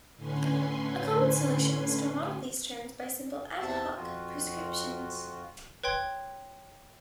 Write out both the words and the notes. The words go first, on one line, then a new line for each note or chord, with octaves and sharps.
A common solution is to model these terms by simple "ad hoc" prescriptions.
A2 D3 C#4 B4 G#5 C6
E2 C3 E5 A5
F2 F4 F#4
B4 C#5 G5 C6 G#6